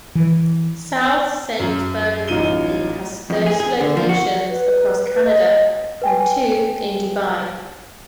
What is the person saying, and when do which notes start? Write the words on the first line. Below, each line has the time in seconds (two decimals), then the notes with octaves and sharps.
South Saint Burger Company has thirty locations across Canada and two in Dubai.
0.15 E3
1.60 F#2
2.28 A1 D#4 F4 D#7 G7
3.30 F2
3.46 G#4
3.60 G#4
3.81 D3
3.97 F3
4.09 F#4
4.49 B4
5.06 B4
5.24 D#5
6.02 B4 G5 G#5